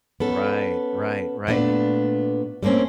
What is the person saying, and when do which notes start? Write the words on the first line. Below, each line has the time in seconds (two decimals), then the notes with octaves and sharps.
Right, right, right.
0.20 B3 C#4 A4
1.47 A#2 A3 B3 D4
2.63 G3 A3 A#3 C4 C#4